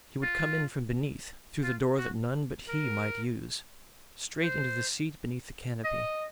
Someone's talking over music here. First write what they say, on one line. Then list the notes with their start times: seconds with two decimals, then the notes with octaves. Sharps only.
He would come in from beneath through the door that none but He might use, straight into the seat beneath the canopy.
0.23 F4
1.63 F4
1.98 F#4
2.69 A#4
4.43 C5
5.84 D#5